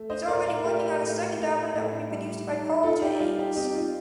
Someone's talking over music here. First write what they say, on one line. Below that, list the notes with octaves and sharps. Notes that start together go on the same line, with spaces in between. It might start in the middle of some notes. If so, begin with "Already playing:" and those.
He’s already working on his second album that will be produced by Paul James.
Already playing: A3
C5 D#5
A2 A#4 D5
A#4 D5
A3 G4 A#4
A2
A2
A2
G3
D#4
D#4 F4 A4
D#4 G4
G3 F4
D#4 G4
C4 D#4 G4
F4